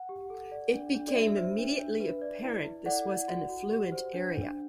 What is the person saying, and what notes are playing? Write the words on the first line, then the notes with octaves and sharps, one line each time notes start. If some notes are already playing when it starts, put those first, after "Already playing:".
It became immediately apparent this was an affluent area.
Already playing: F#5
G4
A4
D5
D4
D4
D5
F#4 E5
C5
D4
D4
B4
D5
E4
E4
A4 D5 F#5
D5
F#4
F#4
G4
C5
D4
D4